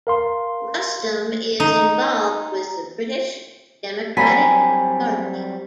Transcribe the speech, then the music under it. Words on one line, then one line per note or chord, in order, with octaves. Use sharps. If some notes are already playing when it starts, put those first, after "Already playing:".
Rustem is involved with the British Democratic Party.
A#4 F5 C6
D#4
F#3 G3 C4 G#5 A#5 B5 B6